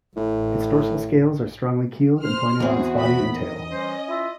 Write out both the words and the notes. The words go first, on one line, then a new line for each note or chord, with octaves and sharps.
Its dorsal scales are strongly keeled and pointed on its body and tail.
A1 A2
C5 C6 F6
E2 B3 C4 F#4 G#4
A3 B5
D#3 D#5
E3 G3 C#4 C5
E4 F4 E5